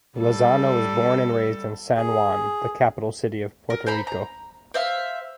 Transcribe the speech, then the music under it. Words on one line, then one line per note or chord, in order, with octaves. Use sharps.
Lozano was born and raised in San Juan, the capital city of Puerto Rico.
G3 A4
G#4
A#4
C5 A#5 B5
A#5
C5 E5 F5